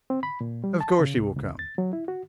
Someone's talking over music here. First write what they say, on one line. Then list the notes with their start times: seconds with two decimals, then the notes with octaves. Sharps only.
"Of course he will come."
0.10 C4
0.23 B5
0.41 A#2
0.64 G3
0.81 A5
1.00 C#3
1.17 C2
1.36 C#2
1.59 A6
1.78 F#3
1.93 E4
2.08 F#4